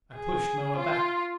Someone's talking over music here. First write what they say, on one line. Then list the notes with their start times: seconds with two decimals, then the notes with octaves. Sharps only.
I pushed Moa back.
0.14 G#4
0.77 F4